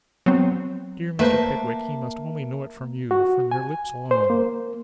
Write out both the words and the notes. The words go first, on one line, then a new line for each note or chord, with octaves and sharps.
'Dear Mr. Pickwick, he must only know it from you--from your lips alone.
F#3 B3 C4
A3 A#3 B4 C5 E5 A5
F#4
G#5
C5
A#3